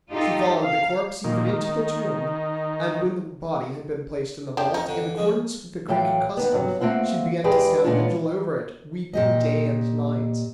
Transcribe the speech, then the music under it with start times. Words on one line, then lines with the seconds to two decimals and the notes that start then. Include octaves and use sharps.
She followed the corpse, even into the tomb; and when the body had been placed in the vault, in accordance with the Greek custom, she began to stand vigil over it, weeping day and night!
0.12 D#4 F4 G4 A4
0.63 F5
1.24 A#2 D#3
1.53 D#3
4.57 F2 F3 D4 G4
4.74 C#4 D#4
4.88 D3
5.17 C#3 F3 G#3
5.88 A2 E3 F#3 F5 G5
6.37 D#3 B3
6.52 G2 F#3
6.81 A3 A#3 C4 F4 F#5
7.44 E2 G#3 G4 G#4 B4 D5
7.84 A#2 G#3 B3 C#4 D4 F4
9.13 A#2 G4 D#5